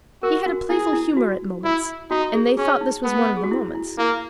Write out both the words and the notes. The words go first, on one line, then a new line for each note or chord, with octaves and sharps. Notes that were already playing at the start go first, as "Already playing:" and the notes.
He had a playful humour at moments, and they thought this was one of the moments.
F#4 A#4
F#4
E4 G#4
E4
F#4
E4
D#4 F#4
G#4
C#4 G#4
D#4
B3
G#4
F#4
E4
E4
A#3 E4